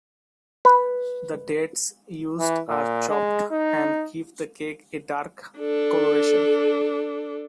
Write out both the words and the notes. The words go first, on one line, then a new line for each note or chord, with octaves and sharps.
The dates used are chopped, and give the cake a dark coloration.
B4
E3
A#2
G#3
D#4
D4 A4